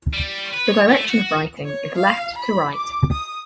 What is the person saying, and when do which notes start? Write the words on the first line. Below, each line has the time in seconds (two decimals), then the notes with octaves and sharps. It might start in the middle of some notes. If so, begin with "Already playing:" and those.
The direction of writing is left to right.
0.13 G3
0.53 B4
0.68 C#5
0.90 A3
1.10 F#4
1.65 C#5
1.95 F5
2.36 B5
2.73 D6
3.11 D#6